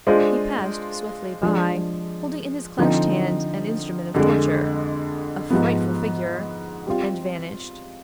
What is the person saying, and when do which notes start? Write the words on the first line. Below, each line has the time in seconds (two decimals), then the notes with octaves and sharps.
He passed swiftly by, holding in his clenched hand an instrument of torture--a frightful figure--and vanished.
0.07 G#3 D4 F4 C5 D#5
1.43 F3 G#3 D4
2.78 D3 F3 C4 D#4
4.14 F2 D3 G#3
5.50 G#2 F3 B3
6.86 G3 C4 F4